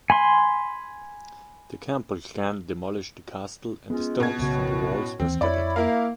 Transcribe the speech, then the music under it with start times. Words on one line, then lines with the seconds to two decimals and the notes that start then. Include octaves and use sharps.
The Campbell clan demolished the castle, and the stones from the walls were scattered.
0.10 G#5 B5 C6
3.90 G#3 B3 C#4 F4
4.20 B2 G#6
4.39 B1 F#2 A2 C#3 F#4
5.20 D#2 E3 C4
5.41 F2 E4 C#5 D5 B5
5.76 A#3 E4 A#4 F5